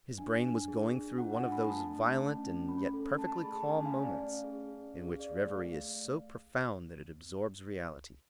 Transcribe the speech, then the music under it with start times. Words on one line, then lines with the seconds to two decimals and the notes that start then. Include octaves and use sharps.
His brain was going through one of those violent and yet perfectly calm moments in which revery is so profound that it absorbs reality.
0.18 D4 G#5
0.43 D4
0.68 G#4
0.93 D4
1.18 F4 F#5
1.35 G#5
1.44 D4
1.52 B5
1.69 A3 A5
1.93 A3
2.19 C#4
2.44 C#4
2.69 C#4 B5
2.94 A4
3.19 A3 A5
3.36 B5
3.44 G#4
3.52 A5
3.69 C#4 G#5
3.86 F5
3.95 A3
4.02 D5
4.19 C#4 F5
4.44 G#4
4.70 C#4
4.95 G#4
5.07 F5
5.20 G#4 D5
5.37 F5
5.45 A3
5.53 F5